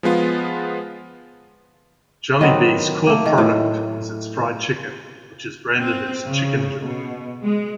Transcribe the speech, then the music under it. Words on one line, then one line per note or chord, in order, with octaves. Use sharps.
Jollibee's core product is its fried chicken, which is branded as Chickenjoy.
F3 G#3 B3 F4
D#3 F#3 B3 C4
A3 A#3
D#3
A2
C4
C#3
B2
G#3